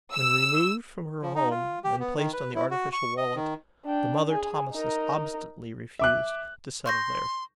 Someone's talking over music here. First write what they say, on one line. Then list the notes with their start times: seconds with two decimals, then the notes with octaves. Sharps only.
When removed from her home and placed on the artificial wallet, the mother Thomisus obstinately refused to settle there.
0.14 E6
1.22 F3
1.35 D#4
1.51 F4
1.84 G4
2.00 B3
2.17 D#3
2.33 B4
2.55 E4
2.71 F#4
2.93 C#6
3.17 D#5
3.35 D#3
3.86 D4 G5
4.30 G#4 G#5
4.72 D#4 A#4
5.99 E5 D6 F#6
6.86 C6 C#6 G6 A#6